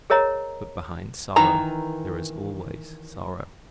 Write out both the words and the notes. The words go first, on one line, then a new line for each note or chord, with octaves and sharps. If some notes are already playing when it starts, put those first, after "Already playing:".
But behind sorrow there is always sorrow.
G#4 A#4 C#5 D#5 A#5
D#3 E3 A#5